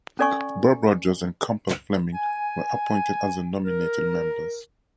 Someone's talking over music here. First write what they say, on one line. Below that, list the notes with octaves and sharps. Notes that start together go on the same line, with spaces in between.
Bob Rogers and Campbell Fleming were appointed as the nominated members.
C#4 A4 D5 G#5 C#6
G#5
A#4